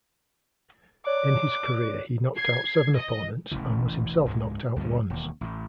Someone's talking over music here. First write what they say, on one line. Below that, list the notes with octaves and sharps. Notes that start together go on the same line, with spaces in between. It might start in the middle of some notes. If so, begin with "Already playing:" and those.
In his career he knocked out seven opponents and was himself knocked out once.
C#5 D5 D6 F#6
G#6 C7
D#5
E1 A1 C#3 E3
F#1 C#2 G#2 G#3
D2 G2 B2 D3
E1 D#2
A1 A2